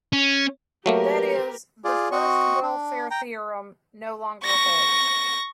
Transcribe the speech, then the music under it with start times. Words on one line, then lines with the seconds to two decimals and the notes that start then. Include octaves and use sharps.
That is, the First Welfare Theorem no longer holds.
0.13 C#4
0.86 F#3 A3 A#3 G4 A#4 B4
1.84 F4 G#4 D5
2.12 C4 F#4 D#5 C#6
2.63 D4
3.11 G5 A#5
4.45 C#6 A#6